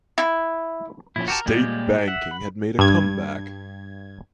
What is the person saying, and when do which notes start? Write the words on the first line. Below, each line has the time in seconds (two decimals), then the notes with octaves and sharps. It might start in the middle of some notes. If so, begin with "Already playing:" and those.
State banking had made a comeback.
0.18 E4
1.16 A#2 F3 C#4 E4
1.28 F#4 G4 A#4 A5
1.46 A#2 G3 G#3 A#3 G4
2.08 E5 F#5
2.31 B5
2.79 G2 G#6